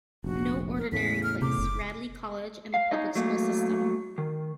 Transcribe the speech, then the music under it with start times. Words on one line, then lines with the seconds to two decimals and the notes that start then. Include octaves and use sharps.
No ordinary place: Radley College and the public school system.
0.24 F1 A#1 F#4
0.77 A#4
0.92 E2 A2 C#3 B6
1.23 F6
1.42 C3 D6
1.58 F#1
2.74 F5
2.91 D#4 C#5 D#5
3.15 F#3 A3 A#3
4.18 D#3